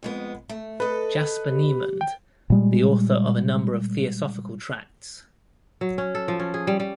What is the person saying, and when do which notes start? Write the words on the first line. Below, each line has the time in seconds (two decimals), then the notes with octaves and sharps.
"Jasper Niemand", the author of a number of Theosophical tracts.
0.03 F2 G#3 B3
0.49 A3
0.80 A4 B4 D#5
1.50 G4
2.01 G5
2.50 A#2 G3 G#3
5.81 F#3
5.98 C#4
6.15 A4
6.28 F3
6.40 C#4
6.54 G#4
6.67 G3
6.80 G3